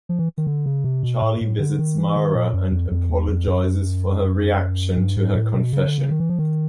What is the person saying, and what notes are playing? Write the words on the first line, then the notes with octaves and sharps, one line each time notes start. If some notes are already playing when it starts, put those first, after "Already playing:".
Charlie visits Mara and apologizes for her reaction to her confession.
F3
E3
D#3
D3
C#3
C3
B2
A2
A2
D3
D#3
E3
D#3
A#2
F#2
F2
F2
E2
F2
F#2
G2
G#2
A2
B2
C#3
D3
C#3
D#3
E3
F3
D#3